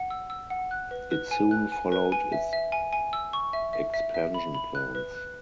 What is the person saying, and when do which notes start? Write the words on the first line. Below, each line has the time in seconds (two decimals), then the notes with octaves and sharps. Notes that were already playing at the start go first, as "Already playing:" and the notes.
It soon followed its expansion plans.
Already playing: F#5
0.10 E6
0.30 E6
0.50 F#5
0.71 F#6
0.91 B4
1.11 B4
1.31 G#5
1.51 F#6
1.72 G#5
1.92 B4
2.12 G#5
2.32 E5
2.53 E5
2.72 G#5
2.93 G#5
3.13 E6
3.33 C#6
3.53 E5
3.73 E5
3.94 E5
4.14 E5
4.34 B5
4.55 B5
4.75 F#6
4.95 B4
5.15 F#6